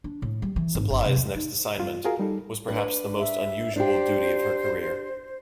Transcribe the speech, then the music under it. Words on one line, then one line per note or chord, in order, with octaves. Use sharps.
"Supplys" next assignment was perhaps the most unusual duty of her career.
D4
A2
G3
E3
G#1
G1
C3
F2
D#4
G2 F4
F4 F#4 G#4 A#4 F5
G3 D#4 A4
D4 B4
E5
D4 G4 C5